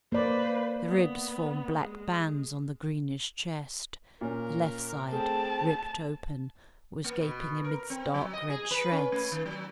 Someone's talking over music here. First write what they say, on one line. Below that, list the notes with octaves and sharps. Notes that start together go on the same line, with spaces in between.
The ribs formed black bands on the greenish chest; the left side, ripped open, was gaping amidst dark red shreds.
A#3 B4 C5 D5
B3
G#3
A#2 C#4 A#4
A3 C4 G#4 A5
A#3
B2
A#4
C4
F#3
D#5
G#4
B4
C#4
A3
D#3
F#3